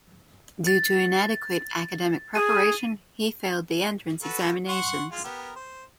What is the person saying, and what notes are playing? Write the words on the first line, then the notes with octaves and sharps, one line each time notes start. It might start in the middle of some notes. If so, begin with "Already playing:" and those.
Due to inadequate academic preparation, he failed the entrance examinations.
A6
G#4 D#7
F#4 A4 B4
F#5 C6 C#6
G#3 F4
B3 G4 A#4
C5